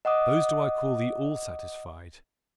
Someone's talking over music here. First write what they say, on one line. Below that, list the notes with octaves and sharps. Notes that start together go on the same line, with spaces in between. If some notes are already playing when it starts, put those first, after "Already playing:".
Those do I call the all-satisfied.
D#5 F#5 D6 D#6